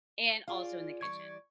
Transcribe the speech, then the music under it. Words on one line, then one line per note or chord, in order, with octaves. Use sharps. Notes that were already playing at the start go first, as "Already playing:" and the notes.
and also in the kitchen.
F4 G#4 D5 F5
E3 G3 D5 C#6 G#6